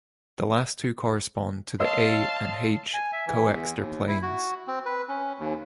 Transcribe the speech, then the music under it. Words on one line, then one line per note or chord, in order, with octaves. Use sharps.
The last two correspond to the A and H Coxeter planes.
C#5 D#5 F5 A5 C6 E6
G#5
E5
E3
E2
D#2
E4
F#4
C4
B4
C#4
D#2